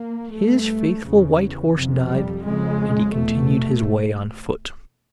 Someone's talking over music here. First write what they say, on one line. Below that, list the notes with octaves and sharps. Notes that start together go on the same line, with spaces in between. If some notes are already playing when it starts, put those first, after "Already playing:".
His faithful white horse died, and he continued his way on foot.
Already playing: A#3
G2 A3
E2 C#3
F2 C3
G3
F2 C#3 G#3
E2 B2 A3